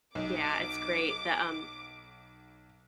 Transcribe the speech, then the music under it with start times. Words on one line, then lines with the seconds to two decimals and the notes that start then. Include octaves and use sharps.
Yeah, it's great. The, um,
0.15 B1 D6